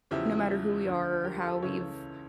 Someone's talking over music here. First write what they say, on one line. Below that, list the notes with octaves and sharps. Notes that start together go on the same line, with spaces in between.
no matter who we are or how we've
E2 C#3 F3 E4 G4
D2 D3 F3
G4 A#4
F4 A4
C#2 C#3 E3 A4 C#5